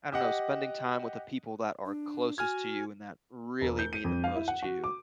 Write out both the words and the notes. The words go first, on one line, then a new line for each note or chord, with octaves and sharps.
I don't know, spending time with the people that are closest to you, and that really mean the most to you,
G4 D#5 F#5
D4
F#4 G#5 F6 G#6
E1
G6
D#7
F2
F5
E4
F#5
F#4
D6